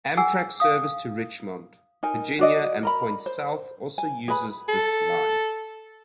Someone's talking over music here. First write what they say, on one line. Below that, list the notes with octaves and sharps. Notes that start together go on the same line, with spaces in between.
Amtrak service to Richmond, Virginia, and points south also uses this line.
G#4 F#5 G#5 E6
F5 D#6
D#4 A#4 G#5
F#4 D5 D#5
A#4 A#5 B5
C5
G#5
G#4 B4 B5
A4